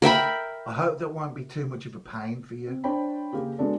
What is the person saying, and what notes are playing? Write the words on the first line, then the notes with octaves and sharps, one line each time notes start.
I hope that won't be too much of a pain for you?
A#4 E5 G5 B5
C4
D4 C5 C#5 G5 B5
C#3 A#3 G4 G#4
G#3 B3 D4 F#4 A4 D5